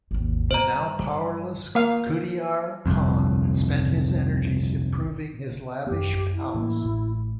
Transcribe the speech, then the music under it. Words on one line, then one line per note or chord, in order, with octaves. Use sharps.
The now powerless Khudayar Khan spent his energies improving his lavish palace.
G#1 D#2
G2 C5 A#5
A#3 F5
G1 C2 F2
F#2 B3 G4
E4
A2 E3 A#3
A1 A2